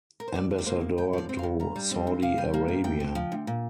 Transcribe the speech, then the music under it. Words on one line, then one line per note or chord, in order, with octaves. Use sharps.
Ambassador to Saudi Arabia.
A#4
C5
D2 D5
C3
D5
A#3 C5
D2
F2 G5
F3 D5
C4
F5
F2
G2 A#5
G3
C4
G2
C3 F5
G3
A#3
C3
D2 G5
C3
F3
D2
A#2